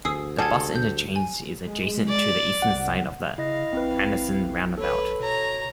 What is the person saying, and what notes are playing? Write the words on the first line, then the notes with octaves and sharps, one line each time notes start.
The bus interchange is adjacent to the eastern side of the Anderson roundabout.
D2 G#4 D#6 E6 C7
G3 G#4 A4 F#5 G#6
G6
G#5
G#3
D5
C2 F#5
C#3 E4 D#5 F5 A#6
A#1 C4 E4 B4
A4 B4 C#5
B2 C#5 A#5